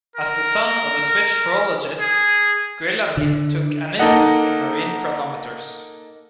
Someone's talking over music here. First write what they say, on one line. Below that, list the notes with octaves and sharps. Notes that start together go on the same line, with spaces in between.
As the son of a Swiss horologist Guillaume took an interest in marine chronometers.
A#4
G#4
D3
A#3 D#4 A4 D#5 F#5